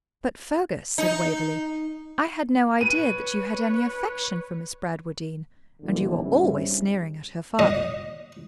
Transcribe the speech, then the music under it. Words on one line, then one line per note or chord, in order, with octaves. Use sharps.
'But, Fergus,' said Waverley, 'I had no idea that you had any affection for Miss Bradwardine, and you are always sneering at her father.'
D#4
B4 C#5 D#7
F#1 B1 E2 A#2 D3 E3
G2 C#3 G3 C4 C#4 E4
D#5